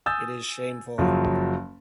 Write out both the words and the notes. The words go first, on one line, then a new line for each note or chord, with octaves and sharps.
It is shameful.
G#5 D#6 E6 G6 A6
F#1 F3 F#3